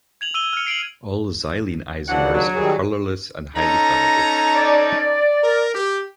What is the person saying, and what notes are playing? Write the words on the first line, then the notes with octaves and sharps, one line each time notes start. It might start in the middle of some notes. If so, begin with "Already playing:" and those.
All xylene isomers are colorless and highly flammable.
G#6 F7 F#7
E6 D#7 G7
F6 C#7
C7 D7 D#7 F#7
D#2 C#3 E3 F#3 D4 F#5
F#3
D#3 G3 G#4
C#4 D#4 A4 A#5
D5
A#4
G4